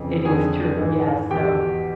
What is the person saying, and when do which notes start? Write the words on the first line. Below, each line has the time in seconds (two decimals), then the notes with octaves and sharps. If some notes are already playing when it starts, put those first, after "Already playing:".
It is true. Yes, so
Already playing: F2 C#3 E3
0.25 F2 D3 G#4 G#5
0.77 G#2 E3
1.31 E2 B2 G4 G5